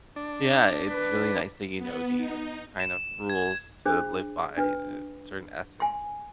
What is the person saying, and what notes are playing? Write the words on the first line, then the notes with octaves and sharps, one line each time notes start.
Yeah, it's really nice that you know these kind of rules to live by, in a certain essence,
D4
B4
B3
D#4
E7
G#6
D4 G#4 C5
D4 B4
G#5 C6